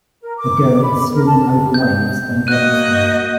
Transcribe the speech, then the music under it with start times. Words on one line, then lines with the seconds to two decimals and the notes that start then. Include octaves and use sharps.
A girl is swinging over waves on a rope swing.
0.22 A#4
0.38 D6
0.83 B5
1.14 A#4
1.26 A5
1.74 G6
2.47 A#3 F#4 D#5 F#6 D#7
2.86 G6